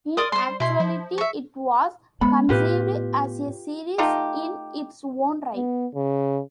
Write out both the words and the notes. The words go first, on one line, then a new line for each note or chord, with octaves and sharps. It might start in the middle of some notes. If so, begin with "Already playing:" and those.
In actuality, it was conceived as a series in its own right.
A#4 D5 C6 D#6
G3 C5 C6
B2 E4 C6
F3
E5 C#6
G#3 B3 B5
A2 B3 F4 G4 B4
A3 D#4 F4 G4
B3
C#3